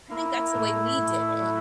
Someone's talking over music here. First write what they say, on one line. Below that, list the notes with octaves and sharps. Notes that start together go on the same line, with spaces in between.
I think that's the way we did it.
A#3 E4
A2
A2
F#3